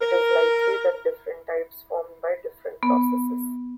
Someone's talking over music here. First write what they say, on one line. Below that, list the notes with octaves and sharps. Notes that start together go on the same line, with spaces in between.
It is likely that different types formed by different processes.
A#4
B3